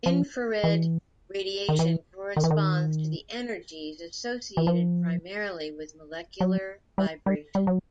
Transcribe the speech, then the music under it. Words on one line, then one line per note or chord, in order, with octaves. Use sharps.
Infrared radiation corresponds to the energies associated primarily with molecular vibration.
F3
E3
D#3
E3
D#3
E3
D#3
E3
F3
F#3
G3
G3
G3
F#3